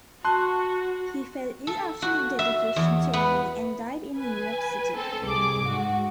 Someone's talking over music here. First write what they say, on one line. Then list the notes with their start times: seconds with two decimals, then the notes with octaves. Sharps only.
He fell ill after the dedication ceremony and died in New York City.
0.25 F#4 A5 C6 F#6
1.67 A4
2.02 F#4
2.39 E5
2.76 E2
3.13 B3
4.15 B4 G#5
4.95 C4 A4
5.25 C2 G#4 D6
5.62 G#2 F#4